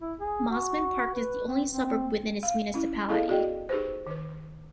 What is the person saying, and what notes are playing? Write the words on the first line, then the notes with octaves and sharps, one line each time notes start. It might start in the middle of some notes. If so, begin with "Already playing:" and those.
Mosman Park is the only suburb within this municipality.
E4
G#4
F#4
B4
C4
C4
F5
C#4 E4
B3 E4 G#4 A4 D#5 F5
B3 F#4 G#4 D5 D#5 G5
D#4 G4 G#4 B4 C5
D#3 B4